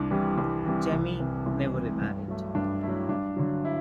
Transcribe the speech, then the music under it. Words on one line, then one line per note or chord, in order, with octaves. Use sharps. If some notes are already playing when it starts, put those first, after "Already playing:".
Jemy never remarried.
Already playing: C2 D4
C3 E3 G3
C2
C3 E3 G3
C2
C3 E3
C2 E4
C3 E3
G2
F#3 A3
G2 D4
F#3 A3 E4
G2 D4
D3 F#3
E4